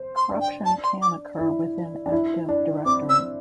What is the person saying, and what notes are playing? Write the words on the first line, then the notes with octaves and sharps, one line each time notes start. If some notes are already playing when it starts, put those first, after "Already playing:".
Corruption can occur within Active Directory.
Already playing: C5
C6
D4
G5
A5
C6
D6
E4
D4
E4
D4
C4 D6
E6